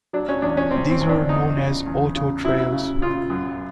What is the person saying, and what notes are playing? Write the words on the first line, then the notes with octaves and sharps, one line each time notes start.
These were known as "auto trails".
F#3 D4
C#4
E2 D4
C#4
E2 C4
C4
E2
D4
E2 D#4
C#3
E2
C#3
F#3 E4
C#3
C#3 F4
F#2